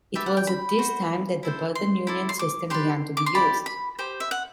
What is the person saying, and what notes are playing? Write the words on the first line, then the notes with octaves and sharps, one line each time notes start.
It was at this time that the Burton Union system began to be used.
G4 B4 D5 E5
F#5
G5
B5
F#4 C5
E4 A4 C5
C6
E4 A4 D5
C6
D6
G4 B4 D5 C6
D6
C6
E4 G4 D5 B5
B5
G4 C5
E5
F#5